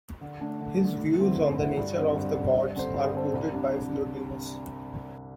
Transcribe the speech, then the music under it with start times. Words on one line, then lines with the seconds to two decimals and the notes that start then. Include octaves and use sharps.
His views on the nature of the gods are quoted by Philodemus.
0.21 D3
0.41 A3 D4
0.61 D3
0.80 A3 D4
0.99 D2
1.19 D3 C4 E4
1.38 D2
1.58 D3 C4 E4
1.78 G2
1.97 D3 C4
2.16 G2
2.36 D3 C4
2.56 G2
2.75 D3 C4 A4 C5
2.94 G2
3.14 D3 C4 A4 C5
3.33 C2
3.53 C3 G3 D4